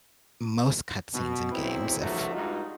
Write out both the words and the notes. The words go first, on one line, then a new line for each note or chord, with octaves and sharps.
Most cut scenes in games, if
B2
B1 E2 G#2 C4 E4
C#2 F3 A3 D#4 F#4
G2 G#3 D#4 F4 F#4